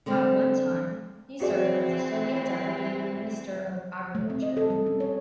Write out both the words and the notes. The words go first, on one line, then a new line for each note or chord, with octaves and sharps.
At one time, he served as the Soviet Deputy Minister of Agriculture.
D3 G#3 C4
E3 C4 F#4 G#4 D5
A3
C4
D#5
A4
G3
C#4
C#5